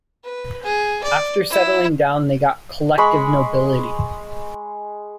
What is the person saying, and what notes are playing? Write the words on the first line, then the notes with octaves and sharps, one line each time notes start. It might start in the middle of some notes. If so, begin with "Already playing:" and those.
After settling down they got collective nobility.
B4
G#4
D5
E4
G#3 B5 C#6